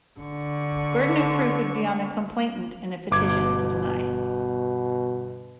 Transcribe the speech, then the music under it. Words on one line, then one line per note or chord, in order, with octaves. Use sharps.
Burden of proof would be on the complainant in a petition to deny.
D3 C#6
G1 B2 D6 G#6